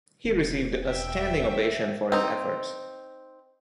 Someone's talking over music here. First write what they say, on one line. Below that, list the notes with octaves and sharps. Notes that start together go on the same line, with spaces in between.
He received a standing ovation for his efforts.
E1
E5 G5
C4 D#4